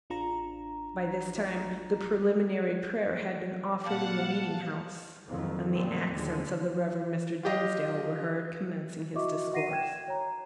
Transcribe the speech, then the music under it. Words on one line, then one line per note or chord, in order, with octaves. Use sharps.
By this time the preliminary prayer had been offered in the meeting-house, and the accents of the Reverend Mr. Dimmesdale were heard commencing his discourse.
A1 D4 F4 A#5
A#2 C4 F5 F#5 A5
F#1 F2 D#3 F3
A#2 D#3 G3 A3 C4
D#2 D3 F3 G#3
F4 G4 D#5
E4 F#4 D#5 E5 C#6 D6
F#4 E5 F#5 A#6 C7 D#7
G5 G#6 E7
C#5 A#5